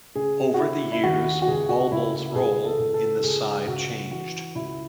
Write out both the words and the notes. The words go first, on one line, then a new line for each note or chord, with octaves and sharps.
Over the years Bulbul's role in the side changed.
C#3 G#4
F#4
C#3 E4
E4
D#2 F#4
F#4
C#2 G#4
F#4
C#2 E4
C#2 G#4
A4
C#2
A4
C#2 G#4
C#2 F#4
E3 F#4
C#2 E4